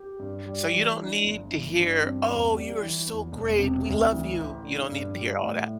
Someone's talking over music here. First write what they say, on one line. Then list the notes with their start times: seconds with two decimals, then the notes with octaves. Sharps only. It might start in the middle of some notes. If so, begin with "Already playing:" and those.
So, you don't need to hear, "Oh, you are so great. We love you." You don't need to hear all that?
Already playing: G4
0.19 G2
0.46 G3
0.72 E3
0.98 D4
1.24 G1
1.51 E3
1.77 G2
2.02 C4
2.28 E2
2.54 G3
2.81 E3
3.06 E2
3.32 E1
3.58 C3
3.85 D2
4.11 E3
4.37 A1
4.63 D3
4.89 G2
5.15 G3
5.41 A2